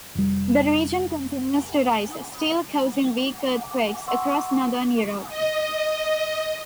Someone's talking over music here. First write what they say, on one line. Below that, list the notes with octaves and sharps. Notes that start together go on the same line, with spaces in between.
The region continues to rise, still causing weak earthquakes across Northern Europe.
F1 G3
F#5 C6 C#6 E6
D#5